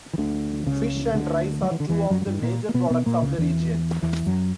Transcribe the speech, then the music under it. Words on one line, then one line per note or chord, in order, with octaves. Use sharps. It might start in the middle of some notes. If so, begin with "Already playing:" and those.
Fish and rice are two of the major products of the region.
E3
D2 D3
C#2 C#3
D2 D3
F#3
E3
D3
E2 E3
F#2 F#3
F#3
G2 G3
A#2 A#3
A#3
B2 B3
B2 B3
A#2 A#3
C#2 C#3
E2 E3
E2 E3
F#2 F#3